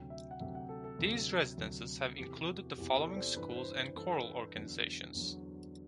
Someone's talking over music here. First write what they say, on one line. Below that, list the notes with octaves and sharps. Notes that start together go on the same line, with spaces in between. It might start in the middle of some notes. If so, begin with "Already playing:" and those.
These residencies have included the following schools and choral organizations.
Already playing: D2 C3 F#3 G5
E5
F#5
D2 C3 F#3 E5
F#5
A4
A4
D2 C3 F#3
D2 C3 F#3
E2 C3 E3 G4
G4
F#4
E2 C3 E3 G4
A4
D5
C5
G2 E3 B4
B4
C5
B4
G2 E3 A4
B4
E2 D3 F#3
E2 D3 F#3